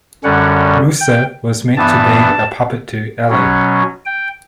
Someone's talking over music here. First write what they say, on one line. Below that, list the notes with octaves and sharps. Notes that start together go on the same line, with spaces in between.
Musa was meant to be a puppet to 'Ali.
F#2 D3 G3 C#4 F#5
G5
G2 E3 B3 A5
B2 F#3 C#4
G5